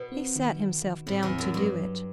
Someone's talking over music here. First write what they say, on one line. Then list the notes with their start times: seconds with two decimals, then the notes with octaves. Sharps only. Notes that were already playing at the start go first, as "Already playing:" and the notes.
He sat himself down to do it.
Already playing: B2
0.12 C4
0.36 D#3
0.59 D#3
0.83 D#3
1.06 A2 C4
1.23 E2
1.30 C4
1.38 F#2
1.54 G2 F#3
1.78 F#3